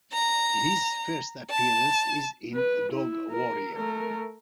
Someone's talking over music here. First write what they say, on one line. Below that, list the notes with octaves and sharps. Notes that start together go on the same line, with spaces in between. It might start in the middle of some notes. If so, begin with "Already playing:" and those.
His first appearance is in "Dog Warrior".
A#5
A5
B4
E4
A#4
A3 A#4